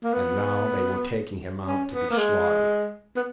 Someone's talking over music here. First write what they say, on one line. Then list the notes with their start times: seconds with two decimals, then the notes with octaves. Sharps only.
And now they were taking him out to be slaughtered.
0.03 A#3
0.14 B3
1.66 C#4
1.92 B3
2.10 A#3
2.17 G#3
3.16 B3